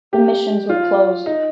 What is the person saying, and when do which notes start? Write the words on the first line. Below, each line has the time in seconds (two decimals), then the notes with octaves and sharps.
The missions were closed.
0.13 G4
0.70 F4
1.26 D#4